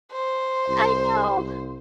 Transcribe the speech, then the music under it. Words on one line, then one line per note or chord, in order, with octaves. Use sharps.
I know,
C5
C2
C2